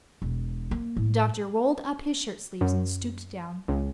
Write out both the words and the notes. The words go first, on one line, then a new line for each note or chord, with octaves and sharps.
The doctor rolled up his shirt sleeves and stooped down.
E1
A#3
A2
F#2
C#2